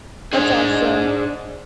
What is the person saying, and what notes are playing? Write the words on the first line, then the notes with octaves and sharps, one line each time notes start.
That's awesome.
D4 G#4 C5 D#5